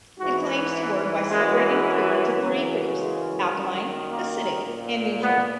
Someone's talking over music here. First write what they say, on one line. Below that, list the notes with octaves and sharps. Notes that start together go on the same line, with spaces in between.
It claims to work by separating food into three groups: alkaline, acidic, and neutral.
G#2 E3 F#4
F#2 E3 G#3
F#2 C#3 E3 F#3
G#3
F#2 D#3
A#3
A#2
B3